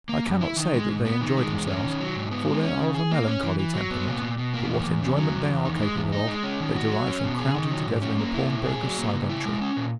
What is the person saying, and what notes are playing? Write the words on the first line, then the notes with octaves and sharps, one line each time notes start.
I cannot say that they enjoy themselves, for they are of a melancholy temperament; but what enjoyment they are capable of, they derive from crowding together in the pawnbroker's side-entry.
A#3
F#2
E4
D#3
G#3
G#2
B3
D#3
G#3
E2
C#4
D#3
F#3
G#2
B3
G#3
C#4
C#3
G#4
A#3
C#4
E3
E3
F#3
B3
A#2
A#2
B2
A#3
E2
E2
C#3
F#3
E2
E2
D#3
G#3
E2
D#4
G#3
C#4
D#3
F#4
F#3
C#4
B2
G#4
D#3
F#3
G#2
C#4
A#3
E4
A#2
G#4
F#3
A#3
C#3
E4
G#3
C#4
A#2